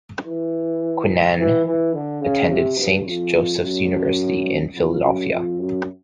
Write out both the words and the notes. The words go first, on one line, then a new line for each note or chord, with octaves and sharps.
Queenan attended Saint Joseph's University in Philadelphia.
E3
E3
E3
D3
C#3
C3
G2
F2
F#2
F2
F#2
F2
F#2